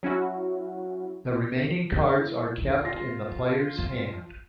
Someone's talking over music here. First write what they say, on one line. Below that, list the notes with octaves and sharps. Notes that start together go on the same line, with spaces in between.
The remaining cards are kept in the player's hand.
F#3 C#4 E4 F#4
E4
F4 F5 A#6